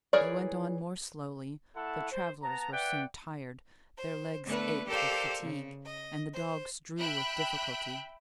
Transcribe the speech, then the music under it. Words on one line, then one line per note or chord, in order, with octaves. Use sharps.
They went on more slowly; the travellers were soon tired; their legs ached with fatigue, and the dogs drew with difficulty.
E3 G#4 A#4 C#5 D5
A3 E4 A4 E5 F#5
C5
B3 A5 A#5
B4 D5 E5 F#5 G5
C5
D3 A3 B3 B4
G4 A4 A#4 C5 D5 F5
C#3
D#5
C5
E5 G5 B5 F#6